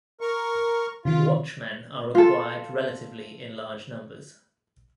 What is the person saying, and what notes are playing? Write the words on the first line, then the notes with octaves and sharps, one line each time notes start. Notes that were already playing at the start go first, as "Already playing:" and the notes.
Watchmen are required relatively in larger numbers.
A#4 C#6
C3 D#3 F4
F4 A4